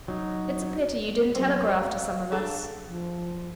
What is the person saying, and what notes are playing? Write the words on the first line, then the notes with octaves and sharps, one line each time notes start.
"It's a pity you didn't telegraph to some of us."
F#3 D#4
B3
F#3 G#3 C4
F5
D4 G#4 A4
F3